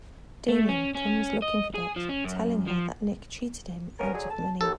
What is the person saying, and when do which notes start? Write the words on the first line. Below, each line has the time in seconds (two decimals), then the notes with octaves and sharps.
Damion comes looking for Dot, telling her that Nick cheated him out of money.
0.48 A3
0.69 C#4
0.96 C#4
1.42 D#5
1.75 G#4
1.96 F3
2.09 C#4
2.25 F#2
2.67 F3
3.99 B3 C#4 A#4
4.13 D3 F#3 G#4
4.30 A5
4.61 D#2 A4